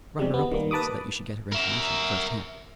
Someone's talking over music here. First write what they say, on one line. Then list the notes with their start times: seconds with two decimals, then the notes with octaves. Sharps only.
I brought her up with me, so that you should get her information at first hand.
0.19 E2 C3 G3 G#3
0.34 B3
0.51 D#3 G3 A#3
0.71 B4 A5 B5 D6 D#6
1.53 A#4 E5